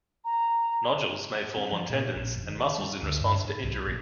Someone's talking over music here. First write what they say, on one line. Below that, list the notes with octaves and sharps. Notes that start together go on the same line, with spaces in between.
Nodules may form on tendons and muscles in response to injury.
A#5
C4
F3
A#2
A#1
F1
D#3
G3
D2
G2
G#2
B1
A#1